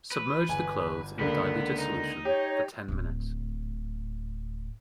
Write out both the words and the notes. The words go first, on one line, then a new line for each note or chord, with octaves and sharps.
Submerge the clothes in the diluted solution for ten minutes.
B4
G1 G#5
C#2 D3 A#3 B3 B4
D#4
G4 C#5
D1 A2